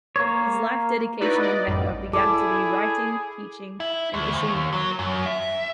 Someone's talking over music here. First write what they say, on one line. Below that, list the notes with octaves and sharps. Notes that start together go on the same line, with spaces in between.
His life dedication in Mecca began to be writing, teaching, and issuing fatwa.
A#3 C#5
D#4 E4 F#4 B4 D5
D5 D#5
A1 F#2 A2 G3
E4 G#4 A4 D5 D6
E4
D2
D#2
F#3
F#2
E5